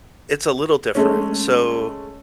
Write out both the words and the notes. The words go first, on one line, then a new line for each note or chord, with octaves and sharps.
It's a little different, so
G#3 A3 C#4